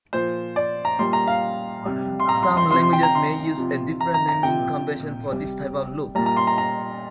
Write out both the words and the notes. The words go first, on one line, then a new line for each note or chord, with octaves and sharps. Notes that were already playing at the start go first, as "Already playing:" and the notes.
Some languages may use a different naming convention for this type of loop.
A#2 F3 C5
D5
A#5
A#2 G3 C6
A#5
F5
C3 G3
C6
A#5
C6
C6
C3 F3 C6
C6
G5
A#5
C6
C3 F3
A#5
A#5
A#5
C3 F3 G5
C3 G3
A#2 G3 A#5
A#5
C6
A#5
A#5